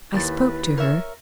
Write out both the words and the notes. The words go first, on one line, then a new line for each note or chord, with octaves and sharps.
I spoke to her.
D#2 E4 B4 A6
A#4 C#5 E5